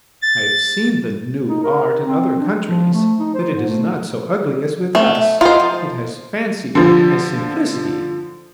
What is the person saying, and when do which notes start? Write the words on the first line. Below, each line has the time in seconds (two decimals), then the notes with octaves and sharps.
I have seen the 'new art' in other countries, but it is not so ugly as with us; it has fancy and it has simplicity.
0.22 A6
1.49 D#4
1.63 A#4
2.04 C4
2.39 D4
2.66 F3
2.93 A3
3.20 D#4
3.34 C5
3.54 G#2
3.67 A3
4.95 A3
5.15 E5
5.41 D#4 F4 C5 F5 F#5
5.60 F3
6.75 D3 F3